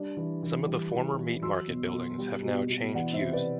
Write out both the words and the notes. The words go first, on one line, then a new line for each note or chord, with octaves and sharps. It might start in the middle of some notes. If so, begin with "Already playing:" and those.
Some of the former meat market buildings have now changed use.
Already playing: G3 D4
E3
E3
G3
E3
E3
F#3 C6 E6
B2
B2
G3
B2
B2
E3 D5 F#5
C5 E5
C3
B4 D5